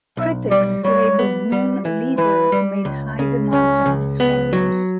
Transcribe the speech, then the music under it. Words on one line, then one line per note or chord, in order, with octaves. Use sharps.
Critics labeled Moon a leader who made high demands on his followers.
B1 E5
G3 D5
G3 C#5
B3
G3
E3
E3 B4
G3
C#2
C#3
C#2 C#4
C#2
B3
F#3